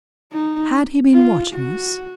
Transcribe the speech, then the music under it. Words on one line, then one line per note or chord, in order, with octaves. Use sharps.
Had he been watching us?
D#4
F4
F#4